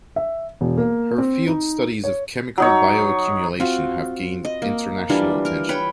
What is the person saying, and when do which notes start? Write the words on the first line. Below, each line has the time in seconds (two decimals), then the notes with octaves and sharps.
Her field studies of chemical bioaccumulation have gained international attention.
0.16 E5
0.61 E1
0.78 A#3
1.18 C4
1.47 D#4
2.04 C#5
2.58 F#3 D#4 C#5
3.60 C4 F4 F#4
4.45 D#5
4.62 A#3
5.09 E3 G3 D4 F4
5.45 A#4
5.69 B4 C#5 G5